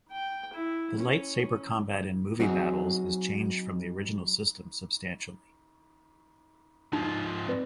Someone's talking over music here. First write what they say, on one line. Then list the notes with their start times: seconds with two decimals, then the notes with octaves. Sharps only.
The lightsaber combat in "Movie Battles" is changed from the original system substantially.
0.12 G5
0.54 E4
0.99 C#4
2.40 F#3 C4 D#4 F#4 G#4
6.93 G#2 F3 D#4
7.48 C4 B4 D5